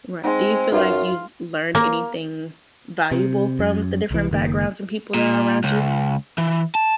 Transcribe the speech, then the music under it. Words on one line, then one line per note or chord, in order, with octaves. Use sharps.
Right, do you feel like you've learned anything valuable from the different backgrounds and people that are around you?
G#3 C4 D#4 F#5
F#2 D#4 F4 B4 E5
A#3
C3
F#2
C2 E3
F#1 D#3 A#3
A#2
C#2
E3
A5